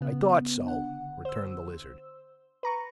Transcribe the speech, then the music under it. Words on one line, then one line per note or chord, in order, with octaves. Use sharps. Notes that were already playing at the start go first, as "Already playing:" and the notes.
"I thought so," returned the Lizard.
C#3 B3
D3 F#5
C5 E6
B4 A#5 C#6